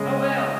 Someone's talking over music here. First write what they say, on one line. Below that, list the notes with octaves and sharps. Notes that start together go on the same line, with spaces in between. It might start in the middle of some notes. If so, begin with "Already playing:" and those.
Oh wow.
Already playing: C#3 G#3 C#4 G#4 D#5